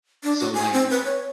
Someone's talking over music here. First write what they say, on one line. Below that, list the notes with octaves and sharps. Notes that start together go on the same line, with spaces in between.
So, like
D4
F#4
G#5
C4
B4
C#5